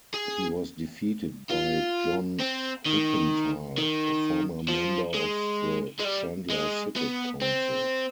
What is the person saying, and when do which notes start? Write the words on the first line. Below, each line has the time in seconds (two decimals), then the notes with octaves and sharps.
He was defeated by John Huppenthal, a former member of the Chandler City Council.
0.14 G#4
1.50 F4
2.40 C4
2.86 D#3
3.78 D#3
4.68 F3
5.14 G#3
6.00 G#3
6.05 G3
6.50 G#3
6.96 B3
7.42 C4